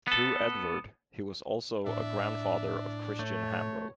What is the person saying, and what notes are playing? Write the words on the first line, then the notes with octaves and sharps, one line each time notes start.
Through Edvard, he was also a grandfather of Christian Hambro.
B3 A4
A2 D4 E5
A3 C#5